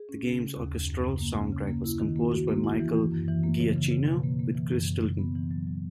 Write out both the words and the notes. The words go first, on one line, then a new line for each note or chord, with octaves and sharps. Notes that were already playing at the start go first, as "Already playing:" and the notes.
The game's orchestral soundtrack was composed by Michael Giacchino with Chris Tilton.
Already playing: G#4
C#4
C#3
C#3
D#2
F#2
F#2
C#3
A#3
C#4
C#3
A#3
E4
D#3
A#3
F#4
A#3
E4
E3
E3
F#2
E3
A#3
C#3
C#3
C#3
B2
A#3
A#3
E3
F#2
F#2
C#3
B3
E3
F#3
F#3